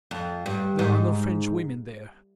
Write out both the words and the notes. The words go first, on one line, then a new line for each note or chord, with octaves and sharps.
There are no French women there.
F2
G2
G#2